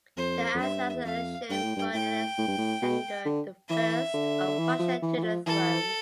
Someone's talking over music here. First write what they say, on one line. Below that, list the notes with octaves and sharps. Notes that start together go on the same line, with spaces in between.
The assassination brought Alexander the First of Russia to the throne.
F2 C5
F2
G2 E5
E2
F2 F5
G2 G5
A2
G2
A2 G5
A2
G2
A2
B2
D3
E3 E5
D3
D3
E3
F3
E3
E3
F3
E3 A4